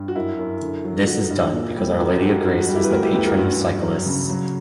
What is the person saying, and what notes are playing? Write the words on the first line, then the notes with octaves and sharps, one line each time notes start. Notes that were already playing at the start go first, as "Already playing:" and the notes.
This is done because Our Lady of Grace is the patron of cyclists.
Already playing: G2
F#4
F#2 E4
F#2
D3
F#3
D3 F#4
G2
A#2
G3
F#2 F#4
G4
F#2 F#4
G2 F#4
F#4
G3
E4 G4
B4
D2 F#4 A#4
E4 G4
D2 G4 B4
F#4 A#4
G2 F#4
G2
F#3
C#3
F#3